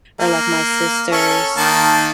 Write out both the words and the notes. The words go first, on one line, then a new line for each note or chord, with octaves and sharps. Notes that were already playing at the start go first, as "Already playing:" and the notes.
or, like, my sisters
A#3
C#4 A4 C#5
D#3 A#3 A5